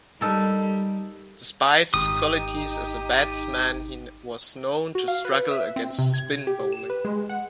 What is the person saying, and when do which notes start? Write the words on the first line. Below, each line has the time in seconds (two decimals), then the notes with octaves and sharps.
Despite his qualities as a batsman, he was known to struggle against spin bowling.
0.21 G3 D#4 A4 A#4
1.94 G#1 D#4 G4 D#6
4.95 F#4
5.08 F5
5.25 B4
5.51 E5
5.76 C4
5.99 C3
6.14 G#6
6.47 G4
6.72 E7
6.90 B4
7.05 G#3
7.29 F#5